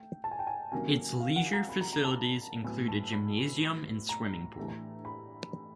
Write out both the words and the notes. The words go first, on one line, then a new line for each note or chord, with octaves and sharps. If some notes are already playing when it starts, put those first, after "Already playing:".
Its leisure facilities include a gymnasium and swimming pool.
Already playing: A3 G5
A5
G#5
G5
G#5
C3 D#3 F#3 A#3 C#4 G#5
F5
F#5
A#5
B5
A#5
A#5
A5
A2 F#3 B3 G#5
A5
B5
A#5
A2 E3 A3 D4 G4
B5